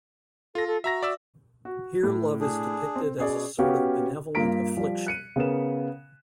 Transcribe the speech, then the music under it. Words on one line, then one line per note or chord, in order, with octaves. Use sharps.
Here love is depicted as a sort of benevolent affliction.
F4 A4 A#6
A4
F#4 E5 A#5 A#6
D5 E5 E6
F#4
A2
D4 G#4
C4
B2 C#4 G#4 D5
B3 C#4 F#4 G4 F5
G2 A#3 F4 A#5 B6 D7
F3 G3
F#6 C#7 D#7
C#3 B3 A#4 E7